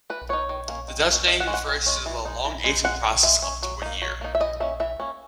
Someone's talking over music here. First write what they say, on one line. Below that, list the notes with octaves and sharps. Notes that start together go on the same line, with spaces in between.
The Dutch name refers to the long aging process, up to a year.
E3 B4
B3 D#4 C#5
D#3
A#3 C#4
D#3
A#3 C#4
D#3 D#5
F#5
G#3 C#4
F#5
D#3
G#3 C#4
E3
G#3 D#4
E3
G#3
D#4
G#3 F#5
C#4
G#3 E5
C#4
F#3
A#3 D#4
F#3
A#3 D#4
E5
E3 D#5
A#3 C#4 E5
E3 E5
A#3 C#4